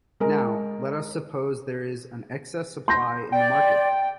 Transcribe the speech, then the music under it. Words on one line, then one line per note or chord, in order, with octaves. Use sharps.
Now, let us suppose there is an excess supply in the market.
G#3 A#4
C6 G6 A#6
D5 G5